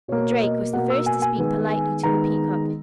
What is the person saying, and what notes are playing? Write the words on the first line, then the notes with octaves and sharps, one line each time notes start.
The Drake was the first to speak politely to the Peacock.
B2 A#3 C#5
D#5
B2 A#3 F#5
E6
G#5
G#5
D#3 G#3 B3
D#3 G#3 B3 A#5